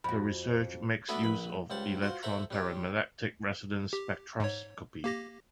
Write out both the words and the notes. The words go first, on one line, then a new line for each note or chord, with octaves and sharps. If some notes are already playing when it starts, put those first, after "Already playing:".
Her research makes use of electron paramagnetic resonance spectroscopy.
F2 F#4 B5
A3 B3 D4 F#4 A4 B4
A#1 B4 B5
C#2 G3 C5 F#5 A5
F4 F#4 C5
A4 C5 E5 F#5 A#5
G3 C#4 G4
G4
G#2 C#5
A#3 G4 A#6